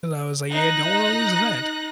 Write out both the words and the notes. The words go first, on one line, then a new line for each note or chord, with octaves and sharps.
And I was, like, "Yeah, don't wanna lose that."
D#4 F#6 A#6